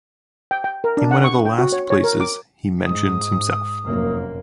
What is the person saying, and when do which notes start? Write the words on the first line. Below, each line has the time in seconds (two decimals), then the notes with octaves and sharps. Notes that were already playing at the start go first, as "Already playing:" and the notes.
In one of the last places, he mentions himself.
0.51 G5
0.64 G5
0.84 A#4
0.97 D4
1.11 F#5
1.24 C#6
1.45 G5
1.58 F#4
1.72 C#5
1.90 C#5
2.04 A#4
2.20 D6
2.86 G#2 D#6
3.85 F1 F#2 A#3